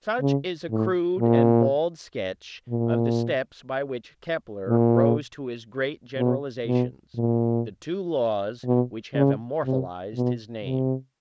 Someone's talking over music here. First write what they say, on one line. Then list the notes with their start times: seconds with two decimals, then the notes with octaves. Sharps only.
Such is a crude and bald sketch of the steps by which Kepler rose to his great generalizations--the two laws which have immortalized his name.
0.21 C#3
0.70 A2
1.19 A#2
2.69 A#2
4.68 A#2
6.17 B2
6.67 B2
7.16 A#2
8.65 B2
9.15 C#3
9.64 C3
10.15 B2
10.64 C3